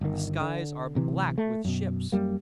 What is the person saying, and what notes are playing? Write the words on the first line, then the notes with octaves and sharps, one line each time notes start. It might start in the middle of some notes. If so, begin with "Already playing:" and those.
The skies are black with ships.
G1 D#3
D3
D1 C3 E3
A3
F#2 B2
F#2 G3 A#3